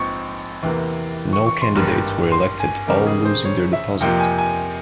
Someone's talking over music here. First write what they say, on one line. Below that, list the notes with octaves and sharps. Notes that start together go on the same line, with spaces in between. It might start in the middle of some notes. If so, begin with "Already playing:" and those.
No candidates were elected, all losing their deposits.
Already playing: A#1 G#2 F3 C4 C#6
E2 C3 E3 A#3
C#6
C#6
C6
G#1 G2 G3 A#3
C6
G#5
E2 C#3 G3 A#4
G#4
C5
C#5
E5
F2 C3 F3 A#3 G5
G#5
G#5